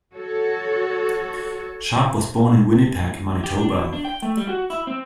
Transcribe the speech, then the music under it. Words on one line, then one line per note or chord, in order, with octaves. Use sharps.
Sharp was born in Winnipeg, Manitoba.
F#4 A4 C#5
G4
D4
B2
D4
G5
A3
G3
F#4
E4
C4